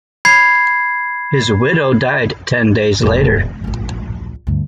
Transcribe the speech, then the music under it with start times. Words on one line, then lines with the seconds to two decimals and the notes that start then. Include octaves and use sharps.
His widow died ten days later.
0.25 B5 G#6 C7
3.01 E1 A2
3.64 D1 A#1
4.47 D2 G2